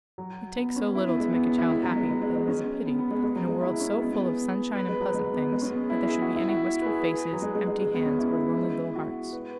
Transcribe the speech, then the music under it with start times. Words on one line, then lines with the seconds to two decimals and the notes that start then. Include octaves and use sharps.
It takes so little to make a child happy that it is a pity, in a world so full of sunshine and pleasant things, that there should be any wistful faces, empty hands, or lonely little hearts.
0.18 F#3
0.56 B3
0.76 C#4
0.95 E4
1.07 B3
1.20 G#3
1.33 B3
1.45 C#4
1.58 E4
1.71 B3
1.83 F#3
1.96 G#3
2.09 G#3
2.22 G#3
2.35 G#3
2.48 C#4
2.86 B3
2.98 B3
3.11 G#3
3.24 G#3
3.36 F#3
3.48 G#3
3.61 E4
3.80 C#4
3.99 B3
4.12 B3
4.25 G#4
4.76 B4
4.88 G#3
5.01 F#3
5.14 G#3
5.33 B3
5.52 G#3
5.62 C#4
5.71 B3
5.90 E4
6.09 G#4
6.22 F#4
6.36 E4
6.48 F#4
6.82 B4
6.86 G#4
7.04 B4
7.13 G#4
7.33 F#3
7.42 G#3
7.55 G#3
7.67 G#3
7.81 G#3
7.93 B3
8.06 C#4
8.19 E4
8.96 F#4
9.33 B4